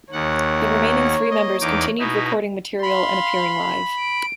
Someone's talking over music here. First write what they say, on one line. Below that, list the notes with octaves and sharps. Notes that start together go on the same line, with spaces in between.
The remaining three members continued recording material and appearing live.
D#2 A#3 C#5 F#5
D#5
E2 D#4 D6
B2 D#4 E4
F5 B5 C6
D7